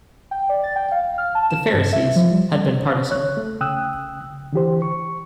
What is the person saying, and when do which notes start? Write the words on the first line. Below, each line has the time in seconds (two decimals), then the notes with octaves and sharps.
The Pharisees had been partisan.
0.31 G5
0.49 D5
0.63 A6
0.76 G5
0.92 F5
1.18 F6
1.35 A5
1.50 E7
1.73 G2
1.93 E5
2.16 F3
2.31 G3
3.11 C#5 F#6
3.37 A3
3.61 C#3 G5 D#6 E6 F#6
4.53 D3 E3 G4 C5
4.82 C#6